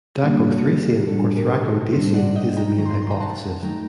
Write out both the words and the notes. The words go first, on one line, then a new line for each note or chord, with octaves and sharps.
Daco-Thracian or Thraco-Dacian is the main hypothesis.
A#2 G3 A#3 D4 G4
F#4 A4
G4
A2 G3 D4 F#4 A4
G4 A#4
F#4 A4
A2 G3 D4 A4 C5
D5 F#5
D#5 G5
G5 A#5
D#3 F#3 A3 D#4 A#5
C6
A#5
C6
G5 A#5
F#5 A5
D#3 F#3 A3 D#4 G5 A#5